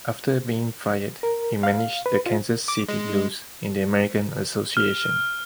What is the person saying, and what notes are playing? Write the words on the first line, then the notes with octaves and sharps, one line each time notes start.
After being fired, he managed the Kansas City Blues in the American Association.
A#4
F5
B4
F4
D6
G#3
F6